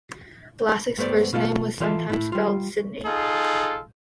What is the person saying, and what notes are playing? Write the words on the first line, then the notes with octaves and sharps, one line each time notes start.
Lassick's first name was sometimes spelled "Sidney".
G2 A3 B3 C5 D5
B2 F4 A4 D5 F5
E3 F4 A4 E5 A5
A2 E4
G3 F4
D#4 F4 G#4 A4